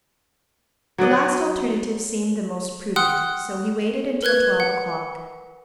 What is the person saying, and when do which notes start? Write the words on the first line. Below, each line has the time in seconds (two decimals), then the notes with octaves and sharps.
The last alternative seemed the most prudent, so he waited until twelve o'clock.
0.98 F#3 F#4 D5 D#5
2.96 F#5 G5 C6 D#6 F6 F#6
4.23 A#4 B4 F#6 G#6
4.60 F#5